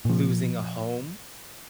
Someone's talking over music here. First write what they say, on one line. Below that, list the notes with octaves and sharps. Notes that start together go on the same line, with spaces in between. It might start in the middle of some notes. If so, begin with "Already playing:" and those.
losing a home.
A#2 F3